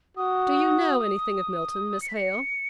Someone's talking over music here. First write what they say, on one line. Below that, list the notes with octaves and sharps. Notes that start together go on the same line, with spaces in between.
'Do you know anything of Milton, Miss Hale?
F#4 D#6
C#7
B6
C#7